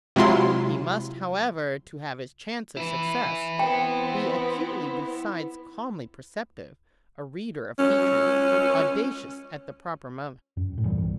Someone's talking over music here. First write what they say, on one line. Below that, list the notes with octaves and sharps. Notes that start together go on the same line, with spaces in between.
He must, however, to have his chance of success, be acutely besides calmly perceptive, a reader of features, audacious at the proper moment.
C3 F#3 G#3 E4 F4 C6
E4 B4
B3 C4 G5
C#4
F#2
D#1 A2
E2 G2 E3 G3
B1